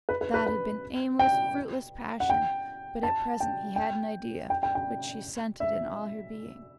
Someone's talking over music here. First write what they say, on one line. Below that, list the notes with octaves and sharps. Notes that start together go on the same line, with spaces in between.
That had been aimless, fruitless passion, but at present he had an idea, which she scented in all her being.
B4
B4
B4
B4
G5
F#5
G5
A5
G5
G5
G5
G5
G5
E5